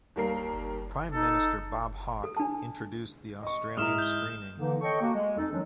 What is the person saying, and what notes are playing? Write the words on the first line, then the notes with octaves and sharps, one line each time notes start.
Prime Minister Bob Hawke introduced the Australian screening.
D#2 G3 A#3 A#4 C7
D#4 A4
A4
D4 A5
D#5 C#6
G#2 E4 A#5 D#6 F6 E7
G6 G7
D3 E3 A#3 D#4
A4 C#5 D#5 G5 C#6
A#3 F#4
G#3
F2 D#4 A4
D#3 F3 F#3 G#3 C#4 D4